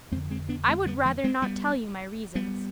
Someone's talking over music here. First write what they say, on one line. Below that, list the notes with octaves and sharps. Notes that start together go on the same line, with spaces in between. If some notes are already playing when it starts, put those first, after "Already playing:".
"I would rather not tell you my reasons."
F2 D3 G#3 C4
G#3 C4
B3 D4
G#3 C4
G3 B3
F3 G#3
G#3 C4
G3 B3
G3 B3